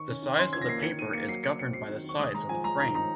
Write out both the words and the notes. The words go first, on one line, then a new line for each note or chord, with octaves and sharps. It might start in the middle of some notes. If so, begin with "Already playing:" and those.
The size of the paper is governed by the size of the frame.
Already playing: D#3 C#6
C#4
D#3
C#4 C6
F3 G#6
A#6
A#3 C7
D#3 C#7
D#3 D#7
A#3 C#7
F#3 C7
F#3 C#7
C4 C#7
F#3 C7
D#3
D#3 C#6
G#3 D#6
G#3 A#5
F3 G#5
G#3 A#5
D#3 A#5
D#4 A#5